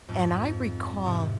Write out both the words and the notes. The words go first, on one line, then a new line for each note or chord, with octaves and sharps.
and I recall
F2 G#2
G#2 C3